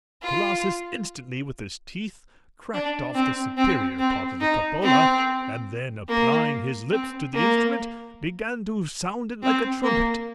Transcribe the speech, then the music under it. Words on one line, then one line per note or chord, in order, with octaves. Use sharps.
Colossus instantly, with his teeth, cracked off the superior part of the cupola, and then applying his lips to the instrument, began to sound it like a trumpet.
F4
D4
C4
C4
C4
D#4
C4
A#3
C4
A#3
C4
A#3